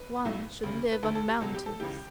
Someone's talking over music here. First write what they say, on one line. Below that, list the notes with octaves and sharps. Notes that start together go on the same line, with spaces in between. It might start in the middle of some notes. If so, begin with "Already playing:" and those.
One should live on mountains.
Already playing: B4
B1 A2 F#3 A3
D2 C#3 G3
B4
D2 D3 A3 A4
A4
G4
C#2 B2 F#3 A4
G4
A4
C#2 C#3 E3 G4